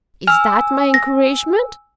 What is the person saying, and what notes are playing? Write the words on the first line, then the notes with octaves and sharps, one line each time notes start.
Is that my encouragement?'
G#5 E6 F6 F7
A#6